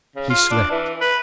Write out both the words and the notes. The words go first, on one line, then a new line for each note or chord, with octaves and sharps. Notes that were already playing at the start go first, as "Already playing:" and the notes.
He slept.
C#3
F4
D4
E3
B4